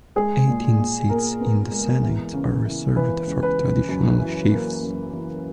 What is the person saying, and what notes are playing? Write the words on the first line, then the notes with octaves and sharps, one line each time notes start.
Eighteen seats in the Senate are reserved for traditional chiefs.
G#3 G#4
A#2
A#2
A#2 A#4
B3
G#3
E3
C#3
E3
E3 B4
C#2
B4
C#3
F#2
E3
A#3
F#2
E3